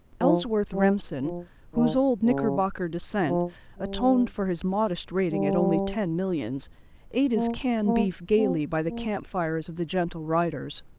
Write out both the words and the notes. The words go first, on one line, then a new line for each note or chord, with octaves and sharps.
Ellsworth Remsen, whose old Knickerbocker descent atoned for his modest rating at only ten millions, ate his canned beef gayly by the campfires of the Gentle Riders.
F3
G3
F3
D#3
C#3
F3
G3
G3
A#3
A#3
C4
A#3